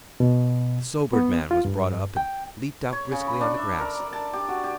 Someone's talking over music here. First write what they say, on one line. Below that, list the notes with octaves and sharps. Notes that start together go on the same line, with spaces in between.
The sobered man was brought up and leaped out briskly on the grass.
B2
B3
F4
G2
G5
C#5
C#3
B5
D4
E5
A#4
D5
A5
G4
F#4
G4